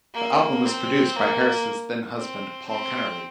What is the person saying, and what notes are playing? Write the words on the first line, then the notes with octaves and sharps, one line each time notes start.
The album was produced by Harris' then-husband, Paul Kennerley.
A#3
C4
A#3
C4
C4